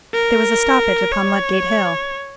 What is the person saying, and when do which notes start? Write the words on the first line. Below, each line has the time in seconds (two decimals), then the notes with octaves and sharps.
There was a stoppage upon Ludgate Hill.
0.14 A#4
1.12 C#5